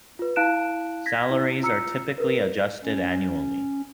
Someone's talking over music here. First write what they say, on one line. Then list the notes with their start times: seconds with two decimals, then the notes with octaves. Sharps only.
Salaries are typically adjusted annually.
0.19 F4 B4
0.36 E4 F5 A5 F#6 D7 E7
1.06 G#6 A#6 B6
1.30 E4
1.62 F4 A#5 E6 F6 C#7
2.18 A#4 B4
2.84 C#4